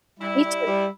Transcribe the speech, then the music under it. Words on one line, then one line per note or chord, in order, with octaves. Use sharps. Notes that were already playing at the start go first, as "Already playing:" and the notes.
Me too.
G3 E4
G3
G3